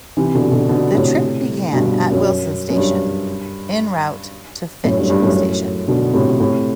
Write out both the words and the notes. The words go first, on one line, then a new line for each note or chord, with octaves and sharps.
That trip began at Wilson station en route to Finch station.
C3 E3
B2 D3
B2 D3
B2 D3
A2 C3
G2 B2
G2
F#2
F#2
G2
F#2 A2
G2
G2
F#2 A2
B2 D3
A2 C3
A2 C3